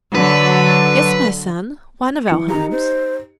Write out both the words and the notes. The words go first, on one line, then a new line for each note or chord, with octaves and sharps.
"Yes, my son, one of our homes."
D3 F#3 B4
E3 C#7
D#4 G4 A#5
C5